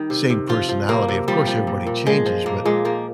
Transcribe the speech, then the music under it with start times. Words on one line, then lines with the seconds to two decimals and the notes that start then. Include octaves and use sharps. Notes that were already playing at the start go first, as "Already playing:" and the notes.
same personality. Of course, everybody changes, but,
Already playing: D#3 G3
0.10 C3
0.30 C3
0.49 F3 F4
0.69 F3
0.89 C3 A#3
1.08 C3
1.28 F3 G3
1.47 F3
1.67 A#2
1.87 A#2
2.06 F3 G#3
2.26 F3
2.46 A#2 A#3
2.65 A#2 G#3
2.85 F3 A#3